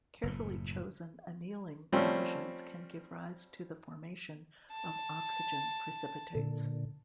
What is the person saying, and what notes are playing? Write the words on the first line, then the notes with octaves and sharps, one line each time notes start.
Carefully chosen annealing conditions can give rise to the formation of oxygen precipitates.
F#1 A2
F3 G3 A3 C4 C#4
A5
A#2 D3